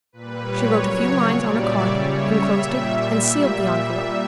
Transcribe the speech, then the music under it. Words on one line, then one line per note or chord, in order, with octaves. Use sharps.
She wrote a few lines on a card, enclosed it and sealed the envelope.
A#2 G3 B4
C#5
C#3 F#3
A#2 G3 D5
E5
C#3 G3 C#5
E5
A#2 G3